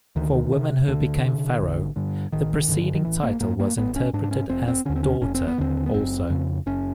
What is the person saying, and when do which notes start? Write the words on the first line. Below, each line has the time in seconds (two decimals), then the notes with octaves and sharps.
For women who became pharaoh, the preceding title was interpreted as "daughter" also.
0.16 D2 D#3
0.52 C3
0.88 D2 D3
1.25 C3
1.60 A1
1.96 G2 D3
2.32 A1 D#3
2.68 G2 D3
2.95 D#3
3.05 A1 E3
3.23 A#3
3.40 G#2 A#3
3.60 A#3
3.77 A1 B3
3.96 C#4
4.13 G#2 D4
4.24 D4
4.31 C#4
4.49 F1 C4
4.68 C4
4.85 D#2 D3 C#4
4.96 C4
5.03 C#4
5.21 F1 C#4
5.35 C4
5.47 B3
5.58 D#2 D3 C4
5.86 B3
5.93 F#1 C4
6.30 F2 C#3
6.66 F#1 C#4